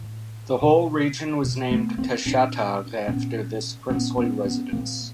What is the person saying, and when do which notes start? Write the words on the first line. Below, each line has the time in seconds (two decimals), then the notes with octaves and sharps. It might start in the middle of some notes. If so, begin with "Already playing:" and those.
The whole region was named Kashatagh after this princely residence.
Already playing: A2
0.62 B2
1.44 B2
1.71 A3 B3
1.98 A#3 C4
2.26 A#2 C4 D4
3.08 A#2 B3 C#4
3.90 A#2 B3 C#4
4.18 B3 C#4
4.45 B3 C#4
4.72 A#2 A#3 C4